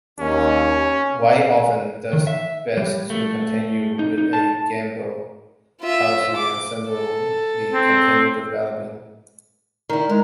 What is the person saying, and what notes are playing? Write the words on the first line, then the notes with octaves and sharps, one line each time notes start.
White often does best to continue with a gambit policy and simply continue developing.
D#2 C#4
D#3
E5
G3
A3
D#4
D#4
A5
F4 E5
D6
A4
C4
D#3 E4
G#3 A#4